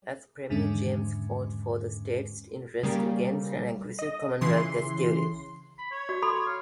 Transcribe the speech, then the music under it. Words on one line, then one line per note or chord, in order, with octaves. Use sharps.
As premier, James fought for the state's interests against an aggressive Commonwealth executive.
E2 G#2 D3 D#3 G#3 C#4
C#3 G3 A#3
D#5
C#3 E3 C6
B5
C#5
F#4 D5
A4 B5 C6
F5